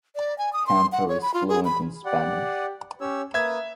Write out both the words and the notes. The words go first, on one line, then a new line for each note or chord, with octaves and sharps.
Cantor is fluent in Spanish.
D5
G#5
D#6
C6
F#5
C#5
B5
F4
G#4
B5
G4 D5 F#5
C#4 G4 C#5 E6
A#3 B4 E5 D#6 G#6